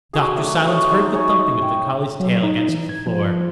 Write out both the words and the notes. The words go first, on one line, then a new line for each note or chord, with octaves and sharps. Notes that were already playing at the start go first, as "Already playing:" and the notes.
Dr. Silence heard the thumping of the collie's tail against the floor.
F#4 G#4
F#3 A3 D4
C#5 D#5 A5
G#3 D#4 F#4 E6
C#5 G#5 C#6
G5
F#3
D#4
E3
G#6
F3